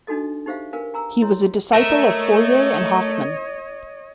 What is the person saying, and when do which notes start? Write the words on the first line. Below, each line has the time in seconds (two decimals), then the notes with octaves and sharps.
He was a disciple of Fourier and Hoffman.
0.07 D4 D#4 F#4 A4 D#5
0.46 D#4 G4 C5 E5 F5
0.73 A#4 B4 F5 G#5
0.94 G#5 A#5 E6
1.22 E4 C#5 C6
1.73 A3 A#4 C#5 D#5 E5